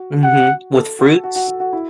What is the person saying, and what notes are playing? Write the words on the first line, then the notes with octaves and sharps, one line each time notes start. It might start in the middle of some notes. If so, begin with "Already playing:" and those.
Mhm. With fruits?
Already playing: F#4
F#5
A4
F#4
F#4
F#4
F#4
F#4
E4